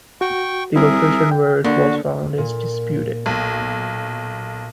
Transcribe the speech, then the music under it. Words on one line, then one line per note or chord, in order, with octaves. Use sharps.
The location where it was found is disputed.
F#4 G5 C#6
G3 C4 E4 G#4 A#4 E5
G5
D3 A#3 F#4
A#2
B1